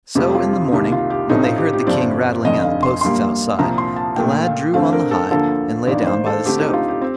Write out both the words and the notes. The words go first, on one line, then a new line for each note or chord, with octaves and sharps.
So in the morning when they heard the king rattling at the posts outside, the lad drew on the hide, and lay down by the stove.
F2 C3 F3 A3 C4 G4
F4
F4
C2 C3 D#3 A#3 G4
F4
G4
A#1 A2 A3 C4 D#4
F4
G4
G4
G1 G2 F3 C4 D5
F1 F2 D3 D#5
F5
C6
A#1 A#2 G3 A#3 C6
C2 A#2 F3 C4 A#5
C6
A5
A#1 A#2 A3 G5
F5
G2 D3 A3 C4 F5
A#4
A4
D2 D3 F3 A#3 A4
A1 G2 D#3 A#3 D5
C5
A4
D2 D3 A3 C4 G4
D#4
F4
G4
C4